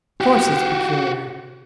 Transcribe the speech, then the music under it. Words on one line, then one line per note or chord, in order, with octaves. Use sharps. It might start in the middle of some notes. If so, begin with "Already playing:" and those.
Of course it's peculiar.
F#4 G4